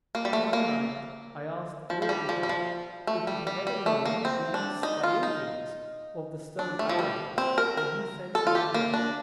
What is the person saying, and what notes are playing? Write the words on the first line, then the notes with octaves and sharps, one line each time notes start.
One night I asked War Eagle if he had ever known the use, by Indians, of the stone arrow-head, and he said he had not.
A#3
G3
A3
A#3
F3
F3
G3
F3
G3
F3
A3
G3
G3
G3
A3
A#3
C4
D4
D#4
F4
D#4
D4
A3
F3
G3
C4
A#4
A#4
A4
F4
G4
A#3
D4